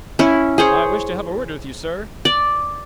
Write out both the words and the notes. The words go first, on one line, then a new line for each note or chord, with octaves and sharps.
"I wish to have a word with you, sir."
C#4 E4
G#4 C5 C#5
D5